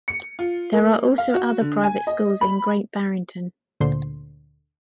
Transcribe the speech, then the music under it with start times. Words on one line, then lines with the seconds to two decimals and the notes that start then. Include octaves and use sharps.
There are also other private schools in Great Barrington.
0.08 C#7
0.39 F4
0.73 A#3
1.18 F5
1.34 F#4
1.61 D3
1.84 G#5
2.07 D#5
2.41 B5
3.80 D2 A#2 D3 C5 C6